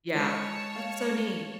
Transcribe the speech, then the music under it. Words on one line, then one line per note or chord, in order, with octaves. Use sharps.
Yeah. That's so neat.
G#3 C#5 A5
F5